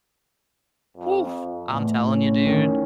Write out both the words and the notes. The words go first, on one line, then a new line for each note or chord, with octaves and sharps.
Oof! I'm telling you, dude,
F2
E2 A2
C#4
D#3